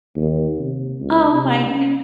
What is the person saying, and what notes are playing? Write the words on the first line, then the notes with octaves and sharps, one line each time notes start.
Oh my goodn
D#2
C3
C#2
C3
C#4